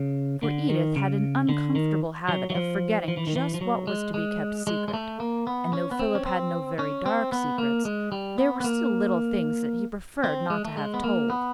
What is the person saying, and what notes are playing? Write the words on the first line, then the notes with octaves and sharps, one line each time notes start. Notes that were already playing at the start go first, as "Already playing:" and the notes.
For Edith had an uncomfortable habit of forgetting just what was to be kept secret, and though Philip had no very dark secrets, there were still little things that he preferred not to have told.
Already playing: C#3
D3
D#3
C#3
D3
D#3
F#3
F#3
F3
F3
E3
D#3
E3
F3
F#3
G#3
G#3
G#3
G#3
A3
A#3
B3
C#4
B3
C4
C#4
C4
C#4
C4
B3
A#3
G#3
G3
B3
B3
A#3
C4
G#3
A3
G#3
B3
A#3
B3